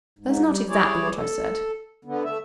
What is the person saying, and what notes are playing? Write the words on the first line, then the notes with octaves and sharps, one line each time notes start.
"That's not exactly what I said."
G#2
G3
G3 E4 G#4 C#5 D5
A4
D3 B3
A3 E5